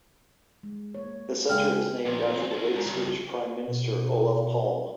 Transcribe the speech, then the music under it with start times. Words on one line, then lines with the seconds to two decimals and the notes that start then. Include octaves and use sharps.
The center is named after the late Swedish Prime Minister Olof Palme.
0.63 G#3
0.95 A#3 C#5
1.49 C#3 G#3 G5 F6
2.06 A#2 F3
2.34 C4 G#4
2.51 F#4 A4
2.74 G#2
2.87 G2 C#3
3.67 B2